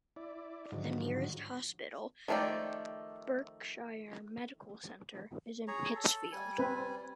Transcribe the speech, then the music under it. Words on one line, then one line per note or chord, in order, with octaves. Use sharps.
The nearest hospital, Berkshire Medical Center, is in Pittsfield.
E4 D5
G#2 D3 D#3 F3 F#3
D#3 F3 A3 G4 D5
G#4 C#5 A#5
A4
G3 G#5
C4 B4